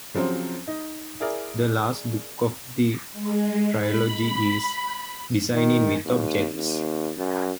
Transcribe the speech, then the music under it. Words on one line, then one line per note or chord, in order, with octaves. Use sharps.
The last book of the trilogy is "Designing with Objects".
C#3 F3 F#3 C4 C5
D#4
E4 G#4 A#4 D5
G#3
B5
D#3
D#2
D#2
F#2